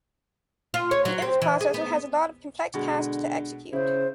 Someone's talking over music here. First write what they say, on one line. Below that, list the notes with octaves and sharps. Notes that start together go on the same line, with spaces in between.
The image processor has a lot of complex tasks to execute.
F4
C#5
F#3
C4
E3
G#4
B3
B2 D3 G#3
C#3 E4 C5